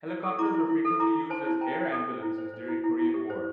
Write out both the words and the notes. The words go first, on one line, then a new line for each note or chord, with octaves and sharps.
Helicopters were frequently used as "air ambulances" during Korean War.
E4
A4
E4 A#5 D6
E4
E4
A4
E4 A#5 D6
E4
C5 A5 C6
E4
C5 G5 A#5
E4
A4
C5
E4
C5
C5
E4
E4
E4
G4
C5